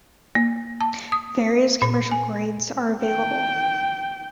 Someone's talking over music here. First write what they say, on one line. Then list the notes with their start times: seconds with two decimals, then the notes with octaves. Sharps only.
Various commercial grades are available.
0.35 A#3
0.81 A5
1.12 D#6
1.82 A#2
2.11 G#5
3.03 G5